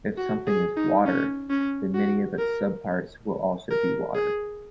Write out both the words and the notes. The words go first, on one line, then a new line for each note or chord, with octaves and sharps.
If something is "water", then many of its subparts will also be "water".
F#4
G#4
D#4
C#4
C#4
F#4
A#4
A#4
G#4